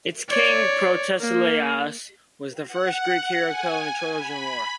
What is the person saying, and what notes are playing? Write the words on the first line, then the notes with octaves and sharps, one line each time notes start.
Its king, Protesilaus, was the first Greek hero killed in the Trojan War.
C#5 D5
A#3
F#5
G#5
B5